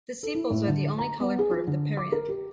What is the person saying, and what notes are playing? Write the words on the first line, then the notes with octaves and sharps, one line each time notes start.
The sepals are the only colored part of the perianth.
A4
E4
A2
D3
A#5
B3
G#4
F4
D3
D6
A#4
G4